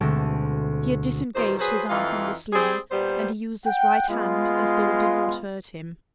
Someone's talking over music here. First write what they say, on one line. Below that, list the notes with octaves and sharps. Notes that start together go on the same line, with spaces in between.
He had disengaged his arm from the sling, and he used his right hand as though it did not hurt him.
D2 B2 G#3 A3 C4 D4
E2 B2 D#3 C5
F#3 G#4 B4 C5
F2 E3 D#4 F4 F5
G3 C4 G#4
A#2 G3 B3 C5
F#5 G5
G#3 B3 F4